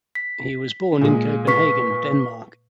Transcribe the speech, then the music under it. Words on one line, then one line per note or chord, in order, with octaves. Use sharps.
He was born in Copenhagen, Denmark.
B6
A#2 G#3
B4 C#6 B6